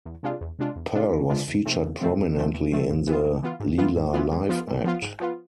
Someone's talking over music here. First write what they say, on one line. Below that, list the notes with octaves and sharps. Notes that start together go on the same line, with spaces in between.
Pearl was featured prominently in the Leila live act.
E2
C3 G#3 D4 F4
E2
C3 G#3 D4 F4
E2
C3 G#3 D4 F4
E2
C3 G#3 D4 F4
E2
C3 F3 A3 C4
E2
C3 F3 A3 C4
E2
C3 F3 A3 C4
E2
C3 F3 A3 C4
G#2
E3 B3 F4
G#2
E3 B3 F4
G#2
E3 B3 F4
G#2
E3 B3 F4
G#2
F3 B3 F4
G#2
F3 B3 F4
G#2
F3 B3 F4